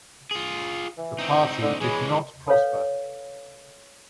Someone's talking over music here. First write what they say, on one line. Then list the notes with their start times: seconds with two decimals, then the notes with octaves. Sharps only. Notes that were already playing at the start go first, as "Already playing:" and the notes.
The party did not prosper.
0.31 F4 G#4
0.98 E3
1.18 C4 D#4
1.62 D3
1.81 E3 G#3 G#4 C#5 B5
2.48 A4 B4 C#5 F5